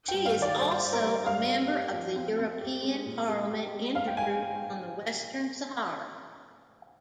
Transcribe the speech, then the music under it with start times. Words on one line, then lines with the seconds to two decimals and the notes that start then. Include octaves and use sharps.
She is also a member of the European Parliament Intergroup on the Western Sahara.
0.08 G5
0.14 G2
0.25 F5
0.36 D#3
0.42 D5
0.59 G2 C5
0.81 G2
0.93 A#4
1.04 G3
1.26 G2 F5
1.49 C4
1.71 G4
1.93 F3
2.16 C4
2.39 C4
2.61 G4
2.83 G#3
3.06 A#2
3.28 G#3
3.50 G4
3.73 G#3
3.95 G#2 F5
4.07 G5
4.17 G#2 G#5